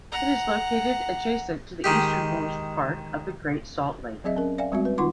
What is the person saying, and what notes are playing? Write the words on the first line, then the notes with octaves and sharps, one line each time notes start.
It is located adjacent to the easternmost part of the Great Salt Lake.
F#5 A#5
D#3 G#3 G4
F#3 C4 G#4 D#5 E5
C#4 A#4
D5 E5 F5 G#5
G3 G#3 C4 F#4 E5
B4
D#3 D#4 F4 F#5 C6 D6